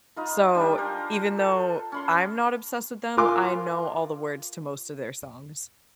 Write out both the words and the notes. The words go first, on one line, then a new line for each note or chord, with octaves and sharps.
so, even though I'm not obsessed with them, I know all the words to most of their songs.
D#4 F4 B4
G3 D4 G4
A#4 C5 G#5
A4
C#4 B5 C6
F4 A#4 F5 G#5 C6 D6